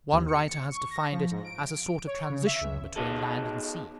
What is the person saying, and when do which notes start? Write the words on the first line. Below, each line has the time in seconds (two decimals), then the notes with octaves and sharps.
One writer has defined it as a sort of transition between land and sea.
0.12 D#2
0.29 C#7
0.72 C#6
0.91 A#6
1.12 F3
1.31 G#2
1.44 D7
2.07 C#5
2.30 C#3
2.47 E5
2.61 C#2
2.96 B3 D#4 G#4 A4